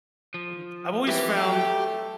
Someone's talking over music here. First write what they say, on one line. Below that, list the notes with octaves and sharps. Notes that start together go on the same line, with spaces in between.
Mm, I've always found
F3
E3 G4 G5
A3